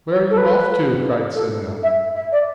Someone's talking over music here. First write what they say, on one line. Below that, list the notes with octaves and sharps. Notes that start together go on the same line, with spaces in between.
"Where are you off to?" cried Semyon.
C#5
A4
B4
A4
E5
E5
D5